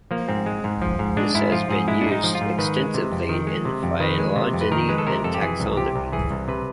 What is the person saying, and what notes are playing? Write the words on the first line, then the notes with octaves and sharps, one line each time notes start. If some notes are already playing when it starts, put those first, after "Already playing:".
This has been used extensively in phylogeny and taxonomy.
F3 A#3
G#2 C4
G#3
G#2
F3
G#2
G#3 D4
G#2 E4
F3 F4
G#2 G#4
G#3 E4
G#2 D4
D#4
F3
F4
G#2
D#3 B4
G#3
C3
F2
D#3
G#3
C3
F2
D#3 B4
G#3
C3
F2
B4
D#3 A#4
G#3 B4
A4
C3 A#4
F2 A4
G4
E3 G#4
C2
C3 G4
C2
E3 G#4
C2
C3 B4